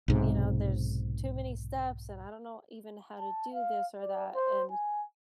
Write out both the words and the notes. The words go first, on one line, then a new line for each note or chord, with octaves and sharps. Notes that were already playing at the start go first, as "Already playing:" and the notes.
you know? "There's too many steps and I don't know even how to do this or that." And
B1 G#2 C3
A5
F5
D5
C5
G#5